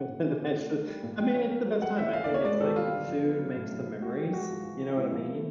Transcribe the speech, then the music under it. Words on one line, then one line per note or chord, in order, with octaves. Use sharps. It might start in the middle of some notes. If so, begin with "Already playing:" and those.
That's so I mean, it's the best time. I think it's, like, the food makes the memories. You know what I mean?
Already playing: F#5
A#2
E3
C4
A3
D#4
G3
A#2
F3 G5
C#4
A#3
F#3
G3 F#5
E4 E5
E3 F5
D5
A#3 C#5
G#3 D5
D#3 A4
G3 F4
D3
F3
B3
F#3
A2
F#3
D#4
G#3 F#4
D#4 G4
G#3 F#4
F3
E3
C#3
G#3 E4
F3
A3